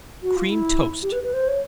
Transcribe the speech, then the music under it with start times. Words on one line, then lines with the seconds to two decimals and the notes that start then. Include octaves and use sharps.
Cream Toast.
0.23 F#4
0.36 F4
0.49 E4
1.03 G4
1.12 B4
1.23 B4
1.33 C5
1.48 C#5